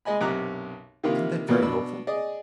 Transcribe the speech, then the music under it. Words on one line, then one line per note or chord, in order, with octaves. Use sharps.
"Isn't that very hopeful?"
G#3 D#5 G#5 B5
B1 F#2 C3 A#5 D6 F#6
C3 D#3 A#3 E4 F4
B2 E3 F#3 A#3 B3
B2 D4 B5 E6
G#4 D5 D#5